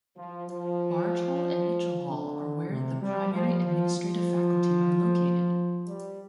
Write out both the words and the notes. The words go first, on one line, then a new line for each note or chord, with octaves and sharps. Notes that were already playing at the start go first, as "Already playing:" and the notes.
Barge Hall and Mitchell Hall are where the primary administrative faculty are located.
F3
F3
D3
C3
G3
F3
F3
F3
G3